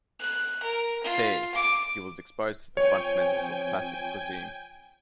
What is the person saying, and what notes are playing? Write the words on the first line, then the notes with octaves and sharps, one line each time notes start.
There, he was exposed to the fundamentals of classic cuisine.
F#6
A#4
F4
D6
F3 C4 C#5 G5 G#5